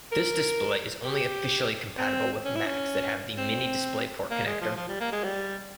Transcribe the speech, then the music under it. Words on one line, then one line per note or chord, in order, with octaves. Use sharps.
This display is only officially compatible with Macs that have the Mini DisplayPort connector.
A#4
G4
C4
C#4
E4
C#4
C4
A#3
G#3
F3
F3
G3
A#3
G#3
G3